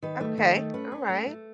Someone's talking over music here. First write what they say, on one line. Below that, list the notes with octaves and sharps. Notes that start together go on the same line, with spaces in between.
Okay, alright,
D#3 B4
A3
D#3
A3
C#4 B4
C#4
A3
A3